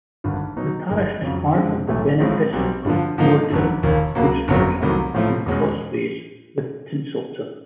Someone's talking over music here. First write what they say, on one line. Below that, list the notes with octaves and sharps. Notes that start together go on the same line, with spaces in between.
The parish is part of the Benefice of Moreton, Woodsford and Crossways with Tincleton.
G#1 G2 D3
B2 F#3 B3 D#4
G1 G2 D#3 G#3
F2 C#3 F#3
F2 D3 F3 G#3 C4
B1 A2 E3 A3
A1 A2 F3 G#3 C4
B1 B2 G3 C4
G2 D3 F3
G#2 F3 A#3 D#4
G#1 F#2 D3
E1 D#2 D#3
C#2 B2 F#3 A#3
G1 F2 C#3 F#3 B3
C2 C3 D#3 F#3 A3
A1 A2 F3 A3
E2 B2 G#3 C#4